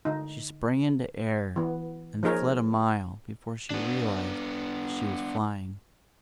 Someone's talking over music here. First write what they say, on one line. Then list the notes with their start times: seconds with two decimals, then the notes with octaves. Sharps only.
She sprang into air, and fled a mile before she realized that she was flying.
0.05 D3 D#4
1.56 E3 B3
2.23 F3 A#3 D#4 G#4 A#4 C#5
3.70 B3 D4